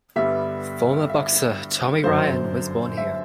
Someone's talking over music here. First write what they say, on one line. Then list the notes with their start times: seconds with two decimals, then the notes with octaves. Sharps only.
Former boxer Tommy Ryan was born here.
0.16 G2 D3 G3 B3 E5
1.09 E5
2.04 G1 F#2 D3 F#3 C5
2.97 E5